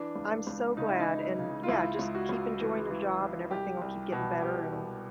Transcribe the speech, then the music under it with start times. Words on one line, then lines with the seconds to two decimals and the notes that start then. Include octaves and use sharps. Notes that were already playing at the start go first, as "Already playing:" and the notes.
I'm so glad, and yeah, just keep enjoying your job and everything will keep getting better, and
Already playing: E3 D4
0.16 C#2
0.47 C#2
0.77 C#3 D#4
0.88 E4
1.00 D#4
1.07 E3
1.39 C#3
1.63 F4
1.69 C#2 E4
1.99 C#2
2.15 F#4
2.29 C#2
2.60 E3
2.90 E3
3.21 E3
3.51 C2 G4
3.82 C2
4.12 B2
4.42 B2 G4
4.73 C2